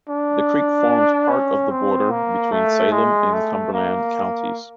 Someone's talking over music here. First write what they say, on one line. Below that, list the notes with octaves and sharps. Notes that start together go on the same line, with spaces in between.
The creek forms part of the border between Salem and Cumberland Counties.
D4
C#4
C4
A#3
A3
G#3
A3
A#3